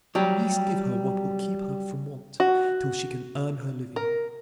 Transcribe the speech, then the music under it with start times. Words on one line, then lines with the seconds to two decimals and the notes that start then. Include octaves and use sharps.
But at least give her what will keep her from want, till she can earn her living.
0.15 F#3 G3 G4
2.40 F#4
3.96 A#4